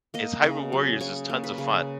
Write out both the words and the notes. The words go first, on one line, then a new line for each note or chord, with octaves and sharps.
is, Hyrule Warriors is tons of fun,
A#3 D#5
C#3
F#3
C#3 C#5
A#3
B4
C#3